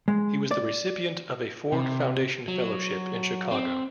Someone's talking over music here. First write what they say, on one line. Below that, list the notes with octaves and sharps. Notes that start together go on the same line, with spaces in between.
He was the recipient of a Ford Foundation fellowship in Chicago.
G#3
D5
C3
F#3
C4